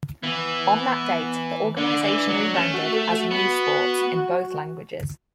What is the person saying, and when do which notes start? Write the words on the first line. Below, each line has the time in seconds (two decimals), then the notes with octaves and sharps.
On that date, the organization rebranded as "U Sports" in both languages.
0.23 E3 B3
1.77 D3 D4
2.03 E3
2.29 F#3
2.54 A3 C#4
2.73 F#4
2.93 A4
3.12 F#4
3.31 B3